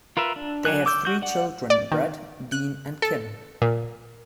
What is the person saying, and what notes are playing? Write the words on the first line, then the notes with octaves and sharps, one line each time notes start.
They have three children, Brett, Dean and Kim.
F4 A#4 B4 E5
D4
F#3 D4 G#5 F#6
D6 E6 G6
F#4 G6
D5 F#5
D5
D#3
F#6
A4
A#2